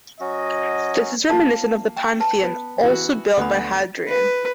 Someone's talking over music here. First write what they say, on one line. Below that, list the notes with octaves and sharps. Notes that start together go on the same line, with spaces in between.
This is reminiscent of the Pantheon, also built by Hadrian.
F#3 C#4 F#4 D#5
A#3 F4 F#4 A5
G5
B4 A5
B3
E3 B3 F#4
D2 B3 B5 D#6
B4